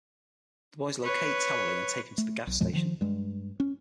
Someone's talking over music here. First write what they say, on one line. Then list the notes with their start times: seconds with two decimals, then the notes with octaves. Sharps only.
The boys locate Towelie and take him to the gas station.
1.04 B4 C#5
2.18 A3
2.47 B1
2.61 E2 A#2 F3 G#3
2.73 D#3 F3
3.01 G2 G#3
3.60 C#4